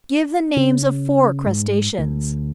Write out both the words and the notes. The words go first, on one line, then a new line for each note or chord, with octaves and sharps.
Give the names of four crustaceans.
C#3
G#2
D2